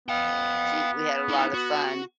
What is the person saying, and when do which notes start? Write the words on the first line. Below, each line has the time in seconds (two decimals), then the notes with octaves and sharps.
She we had a lotta fun.
0.09 B3 F5 G5
1.29 D#4 E4
1.54 F#4